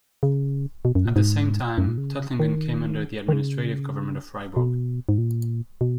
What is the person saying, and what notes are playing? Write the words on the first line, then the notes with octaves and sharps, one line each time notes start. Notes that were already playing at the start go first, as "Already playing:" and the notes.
At the same time, Tuttlingen came under the administrative government of Freiburg.
C#3
B2
F#2
A#2
G#2
F#2
A#2
C#3
D#3
D#3
C#3
B2
G#2
A#2
B2